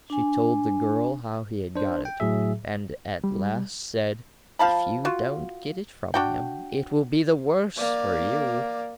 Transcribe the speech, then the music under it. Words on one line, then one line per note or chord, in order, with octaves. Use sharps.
She told the girl how he had got it, and at last said: 'If you don't get it from him, it will be the worse for you.'
D4 G#5
D4 C5
G5
A2 F#3 G#4 E5
G3
F3 F5 A5 B5
F4 F#4
D4 F#4 G5
A#3 D5